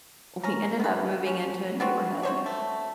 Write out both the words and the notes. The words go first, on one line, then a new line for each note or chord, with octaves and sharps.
uh, we ended up moving into a neighborhood,
C#4 A#5
B3 B4
C#4
B3 C4 F#4
F#4 C5 C#5
A3